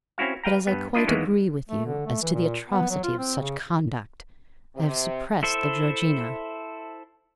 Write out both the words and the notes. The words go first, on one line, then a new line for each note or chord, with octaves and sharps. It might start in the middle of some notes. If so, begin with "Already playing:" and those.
But as I quite agree with you as to the atrocity of such conduct, I have suppressed the Georgina.
C4 C#4 E4 F#4 F5
B4 F5 G5 A#5
G2 B3
D4 E4 F4 D#5
E2 D#3 E3 G#3 A#3 B3
A3
D3
A3
E3
A#2
B3
F#3
F4
C4
C#3
C3
E4 A4 C5 E5